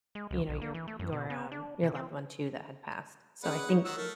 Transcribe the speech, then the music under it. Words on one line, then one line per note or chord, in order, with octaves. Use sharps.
you know, your your, um, your loved one too that had passed, so I think
G#3
C#2
B1
A#3
E3
A3
F#2
B2
B3
D4
C3
C4
C#4 D#4 G#4 B4 D5 F#5
D#4 C#5
D#3 F#5 E6
A3 A#4